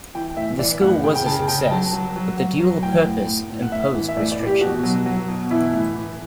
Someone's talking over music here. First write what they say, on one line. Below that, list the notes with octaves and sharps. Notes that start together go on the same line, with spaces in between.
The school was a success but the dual purpose imposed restrictions.
E3 G5
A2 E5
E3 D5
A2 F#5
C#3 G5
G5
C#3 A5
C#3 G5
F#3 A5
F#3
F#3
F#3
F#3
A2 G5
A2
A2
A2
F#5
A2 E5
E3
E5
A2 D5
D5
E3
G4
B2 F#4
F#3
F#3
B2
E3 E4
A2
E3